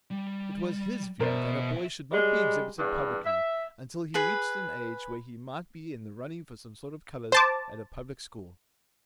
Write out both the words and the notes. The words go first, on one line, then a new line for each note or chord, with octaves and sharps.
It was his view that a boy should not be exhibited publicly until he reached an age when he might be in the running for some sort of colours at a public school.
G3
E2 B2 A#4 C5 D5 E5
G3 G#3
E2 G2
E5
G#4 B4 B5
C5 A5 D6